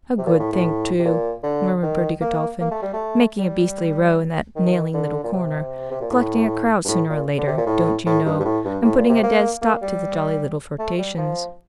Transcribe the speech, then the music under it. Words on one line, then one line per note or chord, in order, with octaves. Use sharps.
"A good thing, too!" murmured Bertie Godolphin, "making a beastly row in that 'nailing' little corner, collecting a crowd sooner or later, don't you know, and putting a dead stop to the jolly little flirtations."
C3
A#2
A2
A2
C3
A#2
D3
D#3
A#3
A#3
A3
G3
A3
G3
D#3
D3
A#2
C3
C3
A#2
A2
G2
A2
A#2
D3
C3
A#2
A2
A2
G2
G2
A2
G2
A2
A#2
C3
A#3
A#3
G3
A3
G3
F3